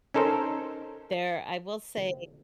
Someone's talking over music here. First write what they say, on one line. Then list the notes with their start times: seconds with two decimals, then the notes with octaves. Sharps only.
There I will say
0.14 C#4 D#4 A4 A#4 C5